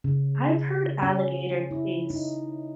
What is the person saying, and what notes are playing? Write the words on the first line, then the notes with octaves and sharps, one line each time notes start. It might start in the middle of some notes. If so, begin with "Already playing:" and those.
I've heard alligator taste
C#3
C#4
E4
D#4